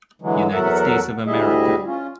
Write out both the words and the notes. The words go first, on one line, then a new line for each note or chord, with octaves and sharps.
United States of America.
D3 E3 F#3 G#3
E2 F#3 A4 A#4 E5 F#5
D2 A2 G3 G#4 D#5 E5
C#4 F4